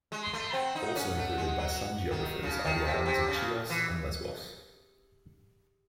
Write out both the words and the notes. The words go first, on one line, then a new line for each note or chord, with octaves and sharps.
Also included by some geographers are the islands of Chios and Lesbos.
G#3
C6
A3
C4 F#5
D#4
C#4
A3
G#3
F#3
D#3
C#3 A5
D#3
C3
C3 A5
C#3
E3